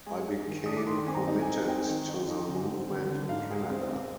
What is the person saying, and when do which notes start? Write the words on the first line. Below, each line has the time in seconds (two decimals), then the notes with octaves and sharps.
I became committed to the movement in Canada.
0.06 G#3 G#5
0.26 D4
0.47 D#3
0.66 D4 D#6
0.77 D6
0.87 D#3 C6
1.07 C4 G#5
1.14 A#5
1.27 D#4
1.41 G#5
1.48 C4
1.68 D#4 G5
1.88 D#3
2.09 D#4
2.28 D#4
2.48 D3
2.69 C4
2.90 D3
3.09 D3
3.29 G#2 F5
3.50 G#3
3.70 C4
3.91 C4